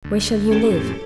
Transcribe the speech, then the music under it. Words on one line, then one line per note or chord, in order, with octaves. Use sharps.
Where shall you live?'
D2
C#4 G4 A4
F2 A2